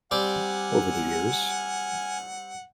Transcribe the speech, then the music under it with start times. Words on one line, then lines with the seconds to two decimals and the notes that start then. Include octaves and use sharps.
Over the years.
0.11 G3 C4 D5 F#5 G#5 F6